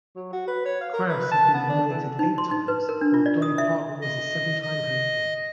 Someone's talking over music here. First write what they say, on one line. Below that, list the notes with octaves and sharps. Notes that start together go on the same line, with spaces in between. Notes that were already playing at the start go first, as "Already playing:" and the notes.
Krauss has been nominated eight times, while Dolly Parton was a seven-time hopeful.
F#3
F#4
B4
C#5
F5
A#4
B4
A5
B3
D4
E3
D#4
C6
D#4
B4
A#4
D4
F4
D5
D#6
E5
D#5
D#5